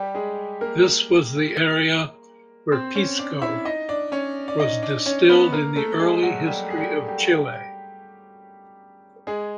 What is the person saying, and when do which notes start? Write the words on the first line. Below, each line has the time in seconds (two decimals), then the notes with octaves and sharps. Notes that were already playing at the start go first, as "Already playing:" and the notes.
This was the area where pisco was distilled in the early history of Chile.
Already playing: G3 G4
0.15 G#3 G#4
0.61 A#3 A#4
2.72 C4 C5
2.95 C#4 C#5
3.19 D4 D5
3.42 E4 E5
3.65 D#4 D#5
3.89 D4 D5
4.12 C#4 C#5
4.48 D5
4.60 D#4 D#5
4.83 D4 D5
5.06 C#4 C#5
5.29 B3 B4
5.52 A#3 A#4
5.76 A3 A4
5.99 G#3 G#4
6.22 F#3 F#4
6.46 G3 G4
6.70 G#4
6.77 G3 G4
7.08 G3 G4
9.27 G#3 G#4